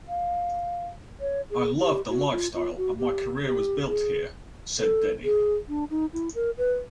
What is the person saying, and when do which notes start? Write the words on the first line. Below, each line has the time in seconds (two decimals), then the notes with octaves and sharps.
"I loved the lifestyle and my career was built here," said Denny.
0.08 F5
1.20 C#5
1.50 G#4
1.80 G4
2.09 F#4
2.32 F4
2.55 F4
2.77 F#4
2.99 G4
3.44 G4
3.89 G#4
4.79 A4
5.24 G#4
5.69 D4
5.90 D#4
6.13 E4
6.35 A#4
6.58 B4